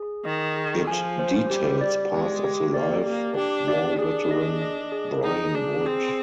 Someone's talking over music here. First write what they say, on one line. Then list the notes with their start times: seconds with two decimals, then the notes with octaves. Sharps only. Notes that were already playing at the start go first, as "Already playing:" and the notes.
It details parts of the life of war veteran Brian Wood.
Already playing: G#4
0.25 D#3 D#5
0.56 G#4
0.87 F3 G#5
1.19 C5
1.50 G3 G4
1.81 D5
2.12 G#3 G4
2.43 G4
2.74 A#3 D5
3.06 A#3 G4
3.37 D4 G4
3.68 D5
3.99 D4 G#4
4.31 D#5
4.62 D#5
4.92 G#4
5.24 D#4 G#4
5.54 D4 G#4
5.86 C4 G#4